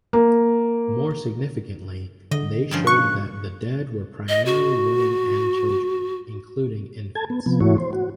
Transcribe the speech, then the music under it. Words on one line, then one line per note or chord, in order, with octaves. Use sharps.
More significantly, they showed that the dead were primarily women and children, including infants.
A#3
D3 D#5
G2 C#3 F3
C#6 F#6
D#5
F#4
A4 A5 G#6
B3
C3 F3 B3
G#2 E3 A3 E4 F#4 C#5
C5
F#4